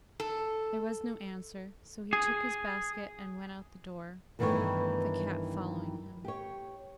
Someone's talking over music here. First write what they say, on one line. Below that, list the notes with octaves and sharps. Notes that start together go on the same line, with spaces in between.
There was no answer, so he took his basket and went out the door, the cat following him.
A4
G#4
G2 D#3 E3 A3 B3 C#5
G4 C#5